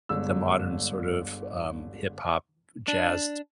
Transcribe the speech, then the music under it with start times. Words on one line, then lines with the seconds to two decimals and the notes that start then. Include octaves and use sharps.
the modern sort of, um, hip hop jazz
0.09 G1 D3 G#3 E6
2.88 D4